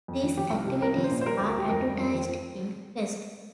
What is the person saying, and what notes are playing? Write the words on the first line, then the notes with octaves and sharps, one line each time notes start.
These activities are advertised in "Quest".
F2
F3
F3 G4
C2
C3
C2 A#4
F3
C5
A#2
C5
G3 A#4
D2
A#4
D2 G4
F2 A#4
G3
F2
F3
F3